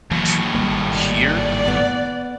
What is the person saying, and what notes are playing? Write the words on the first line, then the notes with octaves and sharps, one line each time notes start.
to hear
D#2 A2 E3 F#3
G#1 G3 A#3
D5
B3